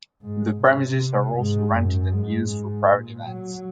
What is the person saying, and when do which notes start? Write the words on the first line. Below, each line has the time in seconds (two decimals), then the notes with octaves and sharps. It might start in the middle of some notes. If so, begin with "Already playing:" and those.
The premises are also rented and used for private events.
0.23 G#2
0.60 C3
1.36 G#2
1.74 F#2
2.12 G#2
2.88 A#2
3.26 F#3